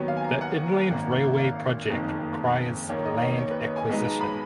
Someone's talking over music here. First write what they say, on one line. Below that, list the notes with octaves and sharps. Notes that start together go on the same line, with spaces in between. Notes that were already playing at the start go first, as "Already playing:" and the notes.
The Inland Railway project requires land acquisition.
Already playing: D#2 D#3 F#3 B3 C#5
F5
G#5
A#5
F#5
G#1 F#2 D#3 A#3
F5
F#1 F2 D#3 A#3 D#4
D#2 D#3 A#3 C#5
D#5
C#5
D#5
C#5
B4
C#5
G#5
B1 B2 G#3 B3 D#4
A#5
B5